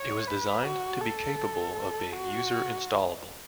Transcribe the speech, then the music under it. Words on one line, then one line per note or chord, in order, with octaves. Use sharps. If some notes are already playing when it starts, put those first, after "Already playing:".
It was designed to be capable of being user-installable.
Already playing: C#5
B4
F#4
A4
F#4